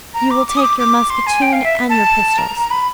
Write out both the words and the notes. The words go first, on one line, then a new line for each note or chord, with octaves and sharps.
"You will take your musketoon and your pistols."
A#5
D6
D6
D#6
D6
D6
C6
G#5
G5
F5
E5
A5
A#5
B5